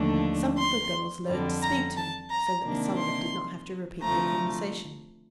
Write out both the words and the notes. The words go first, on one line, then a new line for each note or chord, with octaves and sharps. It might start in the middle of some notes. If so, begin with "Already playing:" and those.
Some of the girls learned to speak to me, so that Miss Sullivan did not have to repeat their conversation.
Already playing: D#2 D3 F3 A3 D4
C6
F2 D3 G3
A#5
A5
A#5
C3 D#3 A#3 D4
C6
D2 C3 F3 A3 A#5